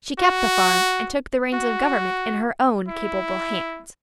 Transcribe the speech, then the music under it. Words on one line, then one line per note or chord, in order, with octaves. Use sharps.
She kept the farm and took the reins of government in her own capable hands.
F#4
F#4
E4